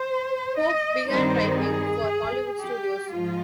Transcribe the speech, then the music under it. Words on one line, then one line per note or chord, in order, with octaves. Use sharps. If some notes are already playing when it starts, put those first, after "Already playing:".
Koch began writing for Hollywood studios.
Already playing: C5
D#5
G2 D#3 G3 C4 D#4 C5
G#4
G4
G#2 F3 G#3 F4